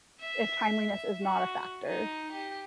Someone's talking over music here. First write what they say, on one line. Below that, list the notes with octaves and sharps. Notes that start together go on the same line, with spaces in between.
if timeliness is not a factor
E5
F#4
D#4
G4